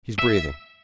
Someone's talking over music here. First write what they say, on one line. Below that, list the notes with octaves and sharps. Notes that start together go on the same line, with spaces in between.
He's breathing.
E5